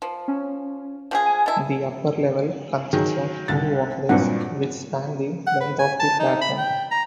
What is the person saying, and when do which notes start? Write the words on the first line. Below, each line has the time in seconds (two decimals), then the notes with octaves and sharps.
The upper level consists of two walkways which span the length of the platform.
0.02 F3
0.28 C#4
1.11 F3 G4 G#4
1.26 G#5
1.46 B2 E4 A5
2.93 D#3 F#3 G#4
3.48 C2 D3 A6
4.09 G2 A#2 F#3 C4 D4 F#5
5.47 F#5
5.60 B4
5.79 G#5
6.00 A5
6.19 D#4
6.41 B5
6.58 G5
6.91 A#5